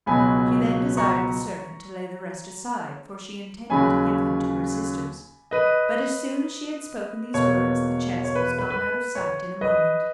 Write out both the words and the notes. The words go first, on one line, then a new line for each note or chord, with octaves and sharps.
She then desired the servant to lay the rest aside, for she intended to give them to her sisters; but, as soon as she had spoken these words, the chest was gone out of sight in a moment.
C#2 B2 F#3 B3 G#5 B5
A#5 C#6
D#2 C#3 F#3 C#4 G#5 B5
B4 D#5
E2 B2 A#3 C#5
C#5
B4
B4
B4
C#5
B4 D#5